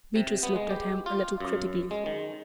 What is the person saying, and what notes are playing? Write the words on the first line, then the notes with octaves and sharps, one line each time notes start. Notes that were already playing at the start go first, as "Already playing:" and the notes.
Beatrice looked at him a little critically.
C3
B3
G#3
G4
F4
F#2
G#3
D#3